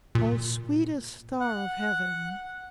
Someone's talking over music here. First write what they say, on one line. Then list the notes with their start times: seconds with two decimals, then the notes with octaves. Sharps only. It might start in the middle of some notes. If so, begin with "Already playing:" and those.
O sweetest Star of Heaven!
0.15 A#2
1.40 F#5